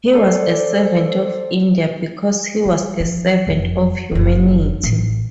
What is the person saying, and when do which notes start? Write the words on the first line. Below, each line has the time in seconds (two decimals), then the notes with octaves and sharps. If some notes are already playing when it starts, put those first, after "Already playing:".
He was a servant of India because he was a servant of humanity.
0.13 A4 C5 D5
2.66 G3
3.00 F3
3.47 F#1 F2
4.12 F#1 F#3
4.84 A1